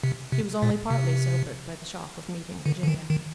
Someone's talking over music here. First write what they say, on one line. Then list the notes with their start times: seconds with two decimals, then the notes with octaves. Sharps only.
She was only partly sobered by the shock of meeting Virginia.
0.04 C3
0.32 C3
0.62 A#2
0.90 C3
2.66 D3
2.83 D3
2.88 D#3
3.10 D#3